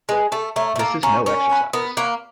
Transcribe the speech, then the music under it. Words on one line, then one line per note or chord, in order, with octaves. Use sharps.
This is no exercise.
G#3 G#4 B4
A3 A4
A3 C#5 F5 A#5
A3
A#3 A4
C#4 C#5 F5 A#5
C#4 A#4
C#5 F#5 B5
B3 A#4
A#3 C#5 F#5 B5